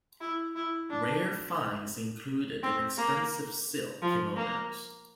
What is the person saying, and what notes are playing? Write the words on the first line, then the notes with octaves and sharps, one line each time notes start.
Rare finds included inexpensive silk kimonos.
E4
E4
D4
C4
A#3
F3
A#3